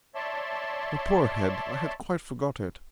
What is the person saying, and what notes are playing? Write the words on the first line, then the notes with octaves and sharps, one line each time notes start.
My poor head, I had quite forgot it.
C#5 D5 E5 A5 C6